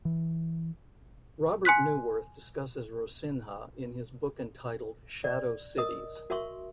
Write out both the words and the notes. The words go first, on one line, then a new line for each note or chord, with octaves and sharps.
Robert Neuwirth discusses Rocinha in his book entitled "Shadow Cities".
E3
G#5 C6 F#6 B6
D5
A#4 D#5 D#6
F#4 A#4 E5 C6 C#6